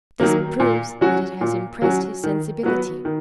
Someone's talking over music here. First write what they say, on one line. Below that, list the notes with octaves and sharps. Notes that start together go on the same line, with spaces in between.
This proves that it has impressed his sensibility.
D#3 F#3 A#3
A#2
F#3 C#4 F#4
A#2
F#3 C#4 F#4
D#3
F#3 B3 F#4 B4
D#3